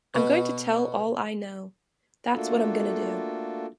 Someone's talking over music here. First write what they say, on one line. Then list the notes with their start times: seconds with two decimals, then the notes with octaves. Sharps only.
I'm going to tell all I know, that's what I'm gonna do.
0.15 B2
2.34 A3 A#3 D4 F4 F#4 A4